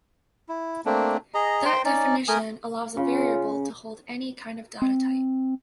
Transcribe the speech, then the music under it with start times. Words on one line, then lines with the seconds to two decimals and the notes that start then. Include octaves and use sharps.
That definition allows a variable to hold any kind of data type.
0.49 E4
0.86 A3 A#3 C4 D4
1.34 G#4 D#5 A#5
1.65 C5 G5 C6
1.85 C#4 D#4 D5
2.28 A3 A#4 G#5 D#6
2.97 C#3 C#4 F4
4.82 C4